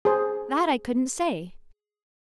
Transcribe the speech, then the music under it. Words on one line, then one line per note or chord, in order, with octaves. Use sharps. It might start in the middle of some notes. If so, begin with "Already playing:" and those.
"That I couldn't say."
G#4 C5